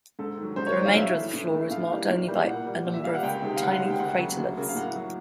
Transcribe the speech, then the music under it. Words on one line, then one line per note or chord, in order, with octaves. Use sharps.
The remainder of the floor is marked only by a number of tiny craterlets.
G#2 A4
D#3
F#3
G#2 C5
C#5
D#3 F#3 D5
F5
A2 E5
E3 A3
A2
E3 A3
A2 F5
E3 G3 A#3
A2
E3 G3 A#3
A#2 F#5
G3 A#3
A#2
E5
G3 A#3 F5
F#5
C#2 G5
C3 D#3 G#3
F5
C#2 F#5
C3 D#3 G#3
G5
D2 F#5
C#3 F#3 A#3
D2
C#3 F#3 A#3
F5
A2 F#5
F#3 A#3